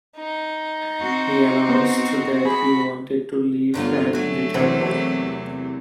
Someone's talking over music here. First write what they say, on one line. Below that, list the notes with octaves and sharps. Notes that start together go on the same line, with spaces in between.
He announced that he wanted to leave and return home.
D#4
C4 F#4
B3 C5
G#4 B5
G2 D3 F#3 A3 B3 F4
F#3 A3 F#4 G#5
E2 C3 E3 A#3 C4 A4